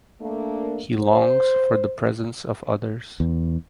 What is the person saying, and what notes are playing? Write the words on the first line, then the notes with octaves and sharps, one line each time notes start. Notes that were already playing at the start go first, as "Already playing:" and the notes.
He longs for the presence of others.
A3 A#3 D4
C5
E2